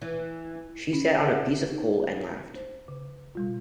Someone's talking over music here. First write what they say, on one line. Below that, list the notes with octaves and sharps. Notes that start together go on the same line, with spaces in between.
She sat on a piece of coal and laughed.
E3
C#4
G4 G#4 A#4 E5 F#5
D#4
C5
C#3
B2 G3 F4